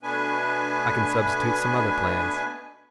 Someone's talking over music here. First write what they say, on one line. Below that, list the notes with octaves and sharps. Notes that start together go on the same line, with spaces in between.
I can substitute some other plans.
B2 A3 B3 D4 B4 G#5